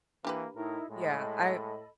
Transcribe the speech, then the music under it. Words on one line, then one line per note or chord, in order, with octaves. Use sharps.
Yeah. I
E3 A#3 D4 G4 B4
A2 D#4 E4 A#4
A2 G#3 A4 D#5 B5